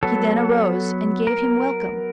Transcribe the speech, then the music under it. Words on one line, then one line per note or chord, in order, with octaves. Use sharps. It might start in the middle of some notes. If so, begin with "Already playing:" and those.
He then arose, and gave him welcome.
F#3 B3 A4
A#4